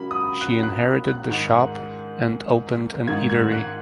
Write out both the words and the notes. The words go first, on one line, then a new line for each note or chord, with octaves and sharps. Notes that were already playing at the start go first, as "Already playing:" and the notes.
She inherited the shop and opened an eatery.
Already playing: C#3 F#3 A#3 B5
D#6
F#6
F#6
F#6
G#2 D#3 G#3
G#2 D#3 A#3 G#6
G#6
F#6